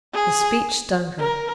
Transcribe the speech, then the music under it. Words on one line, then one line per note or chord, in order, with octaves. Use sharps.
The speech stung her.
G#4
A#4